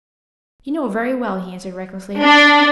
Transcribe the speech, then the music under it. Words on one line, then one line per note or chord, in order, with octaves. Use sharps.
"You know very well," he answered recklessly.
D4